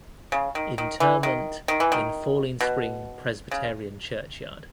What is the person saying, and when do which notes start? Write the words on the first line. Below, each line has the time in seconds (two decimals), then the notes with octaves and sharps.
Interment in Falling Spring Presbyterian Churchyard.
0.32 C#3
0.55 D#3
0.78 D#3
1.00 E3
1.23 D#3
1.68 D#3
1.80 E3
1.92 D#3
2.61 B2
3.51 C#3